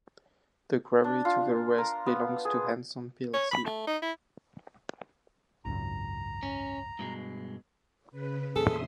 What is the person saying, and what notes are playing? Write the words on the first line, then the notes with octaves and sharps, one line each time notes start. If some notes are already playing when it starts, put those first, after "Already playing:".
The quarry to the west belongs to Hanson plc.
D4
F4
A#4
B3
G#4
C#5
B5
A3
D#4
E4
G#1 C#2 F#2 A#5
C#4
G2 B2 G#3
C#3 B4
E2 A#2 C#3 G#4 A4 E5 C6 D#6